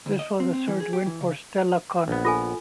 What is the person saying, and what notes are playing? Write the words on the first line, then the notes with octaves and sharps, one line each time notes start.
This was the third win for Stella Kon.
D2
D#5
C4
C4
E3
G#4
G4
E3
C#3
A#1 B3
F4 A4 G#5